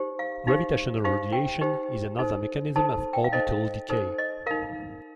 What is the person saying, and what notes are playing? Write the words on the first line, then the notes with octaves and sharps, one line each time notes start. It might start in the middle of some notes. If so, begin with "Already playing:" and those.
Gravitational radiation is another mechanism of orbital decay.
Already playing: D#4 G4 C5
F5
D#4 G4 C5 F5
D#4 G4 C5 F5
G5
D#4 G4 C5
D#4 A4 C5
D#4 A4 C5 A5
G5
F5
D#4 A4 C5 D#5
D#4 A4 C5
D#5
D#4 A#4 F5